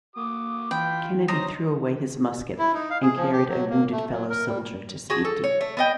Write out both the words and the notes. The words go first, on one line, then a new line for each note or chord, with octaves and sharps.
Kennedy threw away his musket, and carried a wounded fellow-soldier to safety.
A#3 F#4 D6 D#6
E3 F4 G5 B5
C#4 D#4 C5 A#5 D#6
E4
D#4
F5
G#4
F3
G4
F#3
A#3
A3
F#3
A#4
G3
F#4 G#4 A5
A4
C#5
A3
B3 D#5 G5